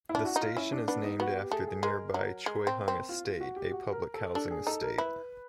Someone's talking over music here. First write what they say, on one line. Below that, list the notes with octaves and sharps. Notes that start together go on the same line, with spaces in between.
The station is named after the nearby Choi Hung Estate, a public housing estate.
E4
D4
F#4
D#4
F4
C#4 E4
D4
B3 D4
D#4
B3 F#4
G4
A3 G#4
G#4
G#3 A#4
F#3 A#4
G#3
C4
C4
F4
F4
F#4
G4
F#4
A#4
A4
D4 A4
G#4
D#4 A4
A#4
E4 B4